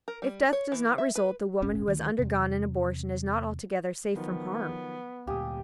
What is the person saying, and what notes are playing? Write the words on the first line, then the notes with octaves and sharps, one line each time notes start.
If death does not result, the woman who has undergone an abortion is not altogether safe from harm.
A#4
G3
C#5
E3
E5
B4
D#1 G#1 C#4
D2 D#3
E2 C3
D#3 F3 F#3 B3
D2 A#2 G4 F5 G#5 D#6